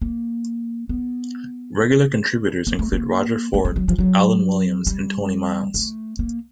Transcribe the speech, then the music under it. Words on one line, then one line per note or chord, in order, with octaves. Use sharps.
Regular contributors include Roger Ford, Alan Williams and Tony Miles.
A#3
B3
A#3
A3
A#3
A3
G3
F#3
F3
F#3
G3
A3
A#3